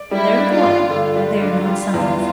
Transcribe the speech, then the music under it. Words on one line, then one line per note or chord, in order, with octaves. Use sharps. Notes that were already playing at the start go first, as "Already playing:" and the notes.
Therefore they are not signs.
Already playing: D5
G3 E4
D4
F4
G2
D3 F4
G3
D4
G3
E2